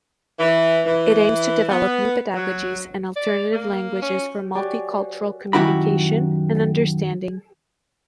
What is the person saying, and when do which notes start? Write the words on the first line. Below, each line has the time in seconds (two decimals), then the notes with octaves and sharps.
It aims to develop new pedagogies and alternative languages for multi-cultural communication and understanding.
0.39 E3
0.86 E3
1.70 B3
2.36 F#3
3.16 D5
3.53 A#3
4.02 C#4
4.55 F#3 G4 D5 G#5
5.53 F#2 D#3 E4 F#4 G4 B5